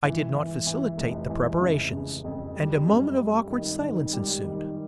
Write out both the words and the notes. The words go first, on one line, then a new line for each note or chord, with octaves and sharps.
I did not facilitate the preparations, and a moment of awkward silence ensued.
E3
E3
E3
F1
E3
C#3
C#3
F2
G3
F#2
G3
D#3
D#3
G3
D#3